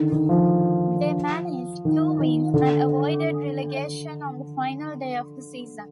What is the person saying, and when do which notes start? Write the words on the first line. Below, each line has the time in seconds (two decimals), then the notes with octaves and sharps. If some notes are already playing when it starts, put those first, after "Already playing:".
They managed two wins and avoided relegation on the final day of the season.
Already playing: D3 D#3
0.12 D#3
0.29 F3
1.85 D#3
2.19 D#3
2.54 D3